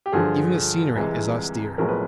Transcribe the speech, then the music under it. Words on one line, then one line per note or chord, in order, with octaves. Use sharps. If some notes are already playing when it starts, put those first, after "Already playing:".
Even the scenery is austere.
G4
G2 D3 F3 G#4
C2 C3 E3 G#3
B1 A2 F3 G#3 A#4
B4